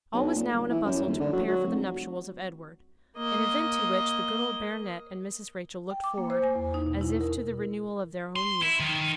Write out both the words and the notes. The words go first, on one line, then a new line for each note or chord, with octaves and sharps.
All was now in a bustle to prepare for the nuptials of Edward, an event to which the good old Baronet and Mrs. Rachel looked forward as if to the renewal of their own youth.
B1
A#2
G1
E3
F#2
D#1
D3
F#3
F#3
F1
A#3 D#5
G5
D6
A#3
C5
G#5
E2
D#4
B2
E4
A#4
C6
E4
D#3